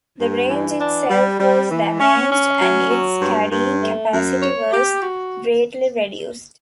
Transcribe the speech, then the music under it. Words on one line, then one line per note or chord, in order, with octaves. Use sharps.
The range itself was damaged, and its carrying capacity was greatly reduced.
G2
E3
D4
G3
G3
E3
C#4
C#4
F#3
F#3
G2
G2
A3
F#2
C#5
G4
F#4